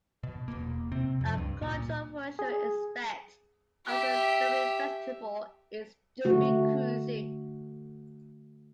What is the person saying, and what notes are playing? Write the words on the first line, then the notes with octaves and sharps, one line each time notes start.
A controversial aspect of the Derby Festival is Derby Cruising.
B2
E1 E2 B2 A#3
C3 C4
F2
C#2 G2
A#2
G#4
G4 E5
D3 A3 F#4